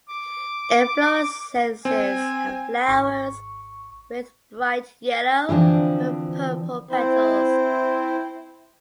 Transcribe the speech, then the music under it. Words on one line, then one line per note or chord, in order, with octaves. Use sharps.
Inflorescences have flowers with bright yellow and purple petals.
D6
C4 G#5
G#1 C#6
D3 E3 F3 C4 D4
C4 E4 C5